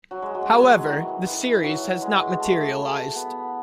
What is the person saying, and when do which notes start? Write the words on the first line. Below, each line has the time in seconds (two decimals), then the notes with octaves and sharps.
However, the series has not materialized.
0.11 F#3
0.22 G#3
0.35 F#3
0.46 G#3
0.58 F#3
0.83 D#3 E3
1.25 E3
1.63 F#3
2.02 G#3
2.40 A3
3.16 B3